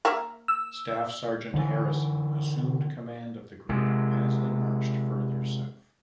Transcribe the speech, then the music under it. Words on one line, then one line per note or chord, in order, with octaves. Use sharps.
Staff Sergeant Harrison assumed command of the group as they marched further south.
A#3 A#4 E5
E6
D3 E3
C3 G#3